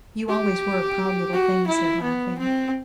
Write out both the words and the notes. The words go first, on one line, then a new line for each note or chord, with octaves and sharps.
"You always were a proud little thing," he said laughing.
G4
F#4
E4
B3
C4